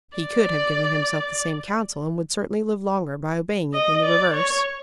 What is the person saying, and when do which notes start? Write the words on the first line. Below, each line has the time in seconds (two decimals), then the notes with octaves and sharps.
He could have given himself the same counsel, and would certainly live longer by obeying it than the reverse.
0.17 D5
3.74 D#5
4.04 D5
4.34 C#5